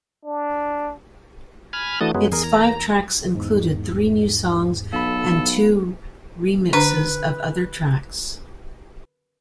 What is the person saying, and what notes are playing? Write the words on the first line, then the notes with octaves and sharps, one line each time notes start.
Its five tracks included three new songs and two remixes of other tracks.
D4
G#5 B5 F6
E3 A3 D4 F#4 A5 D#6
F#2 F#3 G#3 B3
E2 G#4 A#4 G#6
A#5
E2 G#2
B1 A4 F5 B5
D3 D4 B4 A#5